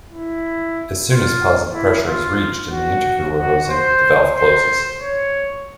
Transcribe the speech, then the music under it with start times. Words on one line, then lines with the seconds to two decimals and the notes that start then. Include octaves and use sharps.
As soon as positive pressure is reached in the intercooler hosing, the valve closes.
0.11 E4
1.09 F4
1.73 E4
2.07 F4
2.71 F#4
3.37 F#4
3.69 C5
4.35 C5
5.00 C#5